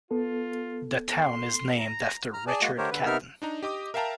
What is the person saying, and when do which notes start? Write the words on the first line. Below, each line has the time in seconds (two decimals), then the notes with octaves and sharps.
The town is named after Richard Caton.
0.11 B3 F4 A4
1.18 C6
1.79 A#5
2.34 A#5 F6
2.47 G#4 D5 G#5 A5
2.61 G#3 A#3 F#4 D#5
2.78 D3 A3 G4 A#4 C5 C#5
2.91 D3 B4
3.06 C3 B3 D#4 A#4 E5 F6
3.42 D4 D#4 A#5
3.63 G4 D#5 D6 D#6
3.94 A#4 E5 F5 G5 A5 A#5